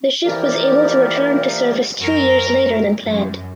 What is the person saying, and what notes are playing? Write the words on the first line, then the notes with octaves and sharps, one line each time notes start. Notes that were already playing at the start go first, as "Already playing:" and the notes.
The ship was able to return to service two years later than planned.
E3 F3 A#3 G4 A#4 D5
F#2 A#4
F#2